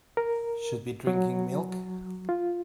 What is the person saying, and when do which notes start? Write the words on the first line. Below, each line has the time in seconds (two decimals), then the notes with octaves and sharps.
Should be drinking milk.
0.17 A#4
1.07 F#3
2.29 F4